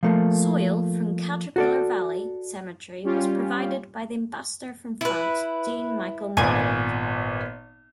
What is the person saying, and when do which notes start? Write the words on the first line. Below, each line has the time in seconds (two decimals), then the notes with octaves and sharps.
Soil from Caterpillar Valley Cemetery was provided by the Ambassador from France, Jean-Michel Marlaud.
0.03 F3 A3 A#3
1.56 F#4 A4 D5
3.03 G3 C#4 F4 G4
5.01 E4 B4
6.37 G#1 A#2 B3 D5 G#5